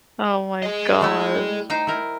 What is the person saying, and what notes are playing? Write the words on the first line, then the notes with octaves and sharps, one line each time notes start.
Oh my gosh.
G#4 D#5
G3 A3 E4
D#4 C5 G5
E4 A#4